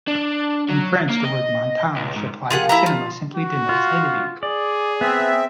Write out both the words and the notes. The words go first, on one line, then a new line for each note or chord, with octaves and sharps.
In French the word "montage" applied to cinema simply denotes editing.
D4
F#3
A#3
D#5
C#2
G#2
F3 A#3 F4 G4 G#4 F#5
E4 E5 A#5
F4
F#4
F4
G#4 D5
B3 C4 E5